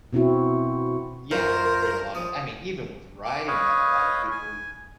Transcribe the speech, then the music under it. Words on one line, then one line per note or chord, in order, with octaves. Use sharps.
Y yeah create a lotta I mean, even with writing, man, a lotta people e
B2 C4 E4 F#4
F#2 F4 A#4 C5
F3 D#6
D6
B4 C#5 D#5 F5
G#5